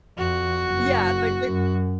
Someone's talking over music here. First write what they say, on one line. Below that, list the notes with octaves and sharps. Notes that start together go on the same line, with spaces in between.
Yeah, like they
F2 F#4
F#1
F#2